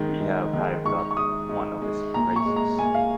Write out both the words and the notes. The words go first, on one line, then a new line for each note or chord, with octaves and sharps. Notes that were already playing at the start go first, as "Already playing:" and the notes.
We have hived up one of his phrases.
Already playing: G#2 D#3 G#3
G#2
D#3 G#3
G#2 C#6
C#6
G#3 D#6
G#2
G#3
A#2 A#5
C#6
G#3
A#5
A#2 G#5
F5